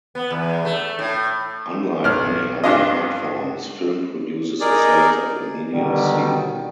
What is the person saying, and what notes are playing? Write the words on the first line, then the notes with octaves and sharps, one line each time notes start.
Unlike many other art forms, film produces a sense of immediacy.
B3
E2
A3
A2
B1 F6
G2 D4 F4 D#5
D#4 G#4 A#4 D5
B2 D3 D#3 F#3 G3